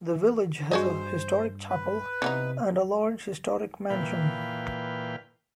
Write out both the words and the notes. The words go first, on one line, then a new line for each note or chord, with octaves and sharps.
The village has a historic chapel, and a large historic mansion.
G2 F#4 G#4 C5 D#5
B4
C3 E3 B3 D#4
A#2 E3 B4 F5 G5